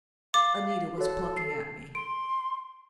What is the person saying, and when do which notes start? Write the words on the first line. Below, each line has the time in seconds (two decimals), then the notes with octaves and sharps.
Anita was plucking at me.
0.34 F5 D6 A6
0.98 F#4 A4 C#5
1.37 C7
1.95 C6 D7